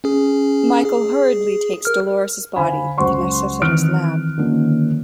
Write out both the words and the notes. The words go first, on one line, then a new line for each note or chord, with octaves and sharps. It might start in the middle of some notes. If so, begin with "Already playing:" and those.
Michael hurriedly takes Dolores's body to Necessiter's lab.
C#4 G#4
G#4
A#4 F6
D3 C5 F5 G#5 B5
C#2 F#3 C5 F#5 C6 C#6
D#3 E3 C4 F6 F#6 D7
D3 D#3 F3 A#3 C#4